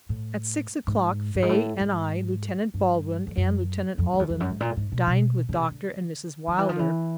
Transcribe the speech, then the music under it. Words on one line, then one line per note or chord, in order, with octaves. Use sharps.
At six o'clock Faye and I, Lieutenant Baldwin, and Lieutenant Alden dined with Doctor and Mrs. Wilder.
A2
G#2
G2
G#2
A2
G#2
G2
F2
F#2
F2
F2
E2
F2
F#2
G#2
A#2
G#2
B2
B2
C#3
C3
D3
D#3
E3
F3
E3